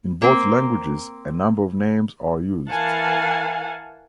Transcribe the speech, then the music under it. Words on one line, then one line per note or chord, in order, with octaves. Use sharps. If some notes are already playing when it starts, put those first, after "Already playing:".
In both languages, a number of names are used.
A#3 C4
E3 A#4 F5 F#5 G#5 A5